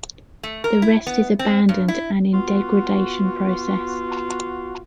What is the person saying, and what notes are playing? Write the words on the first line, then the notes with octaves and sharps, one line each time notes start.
The rest is abandoned and in degradation process.
A3
A#4
E4
B3
C4
G2
E4
B3 F4 F#4